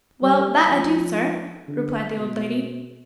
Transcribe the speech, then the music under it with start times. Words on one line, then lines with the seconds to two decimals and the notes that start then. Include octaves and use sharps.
'Well, that I do, sir,' replied the old lady.
0.22 G3
0.70 F3
1.68 D3
2.17 B2